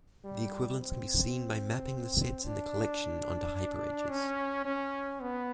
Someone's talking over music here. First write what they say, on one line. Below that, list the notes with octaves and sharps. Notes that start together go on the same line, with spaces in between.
The equivalence can be seen by mapping the sets in the collection onto hyperedges.
G3
C4
D4
C#4
C#4
B3